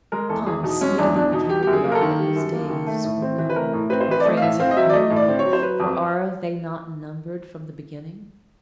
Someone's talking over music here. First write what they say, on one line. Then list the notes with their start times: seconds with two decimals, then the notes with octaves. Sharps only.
Tom speedily became aware that his days were numbered--phrase of unbelief, for are they not numbered from the beginning?
0.12 G#3 A#4
0.29 E2 A4
0.47 E2 G#4
0.63 B2 D#4
0.81 G#3 C#4
0.98 E2 D4
1.15 E2 D4
1.32 B2 D#4
1.49 G3 G4
1.63 F#2 G4
1.73 G#4
1.84 A#3
1.92 A#4
1.95 A4
2.01 D#3
2.19 G3
2.36 F#2
2.52 A#3
2.70 D#3
2.87 A3
3.04 A2
3.22 C4
3.38 E3
3.50 B4
3.56 A3 A#4
3.73 A2
3.90 C4 B4
4.01 C5
4.08 E3 B4
4.20 D5
4.25 A3 D#5
4.37 F5
4.42 A2 E5
4.60 C4 F5
4.71 D#5
4.77 F#3 E5
4.89 D5
4.93 A3 D#5
5.10 A2
5.16 D5
5.28 C4
5.39 C#5
5.45 F#3
5.53 C5
5.62 F#3 B4
5.80 F2